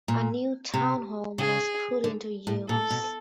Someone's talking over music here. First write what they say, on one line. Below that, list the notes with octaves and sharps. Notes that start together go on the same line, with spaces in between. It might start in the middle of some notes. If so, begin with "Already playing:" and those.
A new town hall was put into use.
A#2
C3
C#3 G#4
D3
A2
A#2 A4
B2